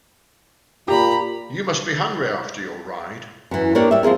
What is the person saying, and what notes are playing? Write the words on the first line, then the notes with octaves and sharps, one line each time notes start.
You must be hungry after your ride.
A#2 G4 A#5 B5
F#2 E3
A#3 D4 G4 A#4 C#5 D5
G3 E5
F3 C4 G#4 A#4